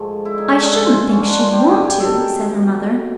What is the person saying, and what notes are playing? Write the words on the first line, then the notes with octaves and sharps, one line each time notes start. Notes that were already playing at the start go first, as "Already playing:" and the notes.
"I shouldn't think she'd want to," said her mother.
Already playing: G#2 F3 A3
E4
D#4
D4
D#4
G#2 F3 G#3 E4
F4
F4
C#4
D4
F4
G4
G2 D#3 F#3 G#4
G4
A4
A#4
B2 F#3 A3